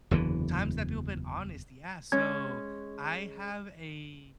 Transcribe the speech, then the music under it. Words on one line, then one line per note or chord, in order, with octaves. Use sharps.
times that people been honest, yeah. So, I have a
F#1 E2 D3 E3
G#3 C#4 G#6